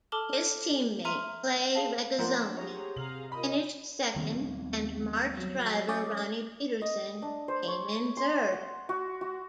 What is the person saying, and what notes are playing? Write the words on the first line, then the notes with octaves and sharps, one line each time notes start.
His teammate Clay Regazzoni finished second and March driver Ronnie Peterson came in third.
A4 A5 D6 F6 F#7 G7
E5 A#5 C6 F6 D#7
G#4 F5 A5
F3 A#3 C4 D4 A#4 C5 F#5
G4 G#4 C#5 A#5
C3 G#4 F5 A#5 F#7
F4 A#4 D#5 B5
D#2 G3 B3 C4
F#3
C#4 D5 D#5
D#5
D4
C5
C#5
C6
F#5
F#4
F#4